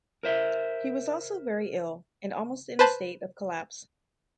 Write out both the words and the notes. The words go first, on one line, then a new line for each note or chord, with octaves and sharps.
He was also very ill, and almost in a state of collapse.
A#4 C5 E5
B4 C5 A5 B5